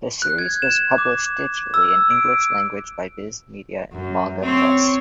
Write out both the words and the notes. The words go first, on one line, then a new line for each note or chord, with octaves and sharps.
The series was published digitally in English language by Viz Media and Manga Plus.
F#6
G#6
E7
D6
E6
D7
F#2
C4 C#5